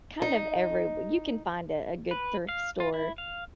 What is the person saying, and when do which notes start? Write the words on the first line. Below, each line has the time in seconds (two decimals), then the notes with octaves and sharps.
kind of everywhe you can find a a good thrift store
0.22 D#4
2.11 B4
2.49 F5
2.80 F4
2.94 E4
3.18 F5